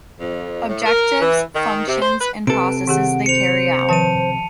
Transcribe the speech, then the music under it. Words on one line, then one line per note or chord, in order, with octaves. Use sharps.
Objectives, functions and processes they carry out.
F2
A2
A#4
E3
D#3
C3
C5
B4
C3 A4 B4 D7
D#3 G4 G#4 F#5
C5 C#7 F7
D#3 F3 B4 A5 D#7